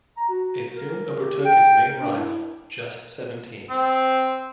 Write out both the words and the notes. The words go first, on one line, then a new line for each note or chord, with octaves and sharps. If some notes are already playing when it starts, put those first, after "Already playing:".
It soon overtook its main rival, Just Seventeen.
A#5
F#4
A#4
G4
G5
A#4
D4
E4
C4